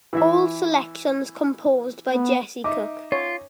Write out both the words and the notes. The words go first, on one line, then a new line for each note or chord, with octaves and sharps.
All selections composed by Jesse Cook.
E3 E4 E5
B3
D#4 D#5 E5 D6
F4 C#5